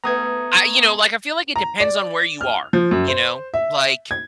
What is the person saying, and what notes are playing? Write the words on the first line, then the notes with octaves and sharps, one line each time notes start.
I You know, like, I feel like it depends on where you are, you know? Like,
A3 B3 A#5 D#6 G#6
A#5
D5
F6
F3
F#2
C5
E5
G#6